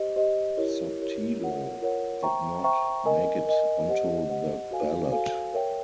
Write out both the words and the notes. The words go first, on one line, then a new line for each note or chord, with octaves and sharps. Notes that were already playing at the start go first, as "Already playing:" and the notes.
Sotelo did not make it onto the ballot.
Already playing: G4 C5 D#5
G4 C5 D#5
E4 G4 A#4 C#5
E4 G4 A#4 C#5
F4 A#4 C#5 F#5
F4 A#4 C#5 F#5
C5 E5 G5 A#5 C#6
C5 E5 G5 A#5 C#6
A#4 D#5 G#5
A#4 D#5 G#5
G4 C5 D#5 F#5
G4 C5 D#5 F#5
F#4 A4 C5 F5 G#5
F#4 A4 C5 F5 G#5
A#4 C#5 E5 G5